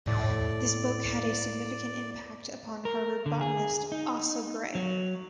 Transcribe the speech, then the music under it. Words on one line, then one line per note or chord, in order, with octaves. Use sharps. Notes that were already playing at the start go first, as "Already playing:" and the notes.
This book had a significant impact upon Harvard botanist Asa Gray.
A2 D5
A#4
D3
G#4
D#4
F#3